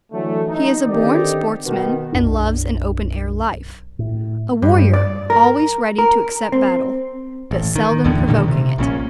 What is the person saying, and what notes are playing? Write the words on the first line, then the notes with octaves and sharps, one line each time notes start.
He is a born sportsman and loves an open-air life--a warrior, always ready to accept battle, but seldom provoking it.
D3 E3 F#3 A3
D#4
D3 D#3 C4 D#4 G4 D5
B2 D#3 B3
B1 F#2 D4
A2
G2
D5
A#4
A#4
C4
A1
D#3
A1 E2 A2 D3
G2 A#2 D3 D#3
C3
A#1 A#2 C4 C#4